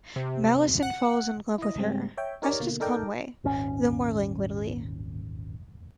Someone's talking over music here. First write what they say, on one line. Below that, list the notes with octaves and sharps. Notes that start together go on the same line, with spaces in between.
Mallinson falls in love with her, as does Conway, though more languidly.
C3
F#5
E4 D#5
G#2 C#3 G3 G#3 C4
C#5 E5 G5
D#4 G4 A#4 C#5 D5
B2 D3 A#3
D#4 A4 A#4 D5 G5
D#1 G#1 C#4